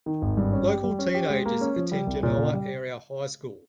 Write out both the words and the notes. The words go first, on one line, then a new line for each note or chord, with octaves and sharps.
Local teenagers attend Genoa Area High School.
D#3
G#1
G2
C#4
G4
G3
C#4
G4
G#3
A#3
C#4
F3
G3
C2
A#2
C#3
G3